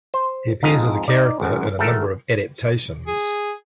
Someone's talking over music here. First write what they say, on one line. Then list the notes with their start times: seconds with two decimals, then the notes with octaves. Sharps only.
He appears as a character in a number of adaptations.
0.14 C5
0.63 F2 G#2 D#5 A#5
1.08 D#4 D5
1.40 G#1 F#2
1.79 G#1 A3 A4 A#4
3.08 G#4